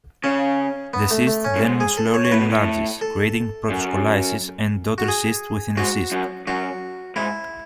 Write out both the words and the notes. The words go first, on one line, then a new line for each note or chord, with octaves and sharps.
The cyst then slowly enlarges, creating protoscolices and daughter cysts within the cyst.
C#3 C#4
B3
A3
A3
C#4
F#2
G#2
G#4
A4
C#5
C#5
A2 B4
B2
A2
A4
F#2
F#4
G#4
G#2 F#4
F#2
F#2 F#4
G#2 E4